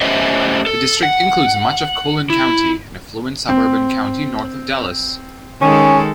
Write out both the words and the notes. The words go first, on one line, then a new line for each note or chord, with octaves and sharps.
The district includes much of Collin County, an affluent suburban county north of Dallas.
A3 C#4 G4 C5 D#5 E5
A4
F#5
E4
C4
D#3 G#3 C#4 A4